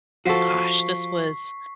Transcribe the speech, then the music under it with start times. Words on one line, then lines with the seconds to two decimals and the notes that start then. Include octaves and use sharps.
Gosh, this was
0.26 F3 F#4 A4 C#6 B6 C7